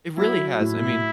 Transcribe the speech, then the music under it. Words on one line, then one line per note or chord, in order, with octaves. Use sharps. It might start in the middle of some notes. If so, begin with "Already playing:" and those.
it really has. I mean,
F#3 E4
A2 E4